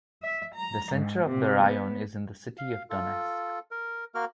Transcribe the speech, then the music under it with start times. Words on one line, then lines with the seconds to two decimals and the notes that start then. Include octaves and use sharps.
The center of the raion is in the city of Donetsk.
0.22 E5
0.54 A#5
0.91 G#2
1.24 C3
1.62 B3
2.58 F5
2.90 F4 A4
3.71 A#4
4.15 A#3 F#4 A#4 F6